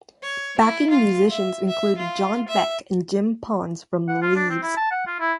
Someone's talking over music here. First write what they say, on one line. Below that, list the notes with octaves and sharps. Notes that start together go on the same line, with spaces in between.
Backing musicians include John Beck and Jim Pons from the Leaves.
C#5
E4
F4
E5
E5
F4
E5
F#5
F4
D4
C4
E4
A5
F#5
F4
E4